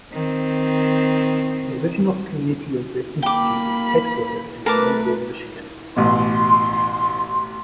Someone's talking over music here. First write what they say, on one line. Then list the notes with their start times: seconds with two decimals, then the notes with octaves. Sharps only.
The original community of the institute is headquartered in Monroe, Michigan.
0.12 D#3 C4
3.22 A#3 G5 B5 D6
4.66 A3 A#4 B4 A5 D6
5.96 A1 B2 C6